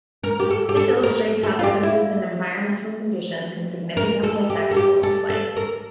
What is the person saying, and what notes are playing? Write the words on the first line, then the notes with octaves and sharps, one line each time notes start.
This illustrates how differences in environmental conditions can significantly affect bullet flight.
A#4
G4
A4
G4
A4
A#4
A4
F4
G4
E4
A#4
A4
G4
A4
G4
A4
A4
A#4